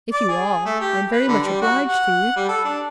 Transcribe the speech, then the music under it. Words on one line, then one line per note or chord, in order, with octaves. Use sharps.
If you are, I'm very much obliged to you.'
D5
G#4
A3
G4
B4
D3
G3
F#4
F#5
G3
A4
D4